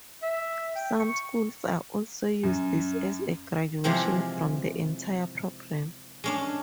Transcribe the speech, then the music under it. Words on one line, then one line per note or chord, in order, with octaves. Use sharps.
Some schools also use this as a graduation from the entire program.
E5
G5
C#6
F#2
C3 E3 F3 G#3 C4
G#3 C#4 D4